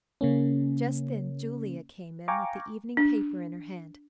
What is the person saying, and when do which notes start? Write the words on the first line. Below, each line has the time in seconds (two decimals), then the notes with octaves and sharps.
Just then Julia came in with the evening paper in her hand.
0.21 C#3 A#3 C#4
2.28 F5 G5 G#5 A#5 C#6 D6
2.97 D4